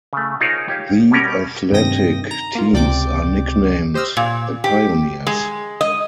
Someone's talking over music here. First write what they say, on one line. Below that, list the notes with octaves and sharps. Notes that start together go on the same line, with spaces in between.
The athletic teams are nicknamed the Pioneers.
C#3 A3
D#4 F4 G#4 A#4 C5 C#5
G4 C#5 F5
B2 G3 C#4 A#4
G2 C3 D#3 G5 D#6 A#6
A#5
A#3 F4
C#2 C3 D5 G5 D6
G4 C5 D#5 E6 F6
A#2
G4
G#3
D#5